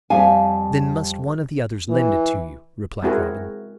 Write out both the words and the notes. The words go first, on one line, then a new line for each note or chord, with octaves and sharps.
"Then must one of the others lend it to you," replied Robin.
F2 G3 E5 F5 G#5
E3
G#3 C4 E4 F#4 G#4 A#4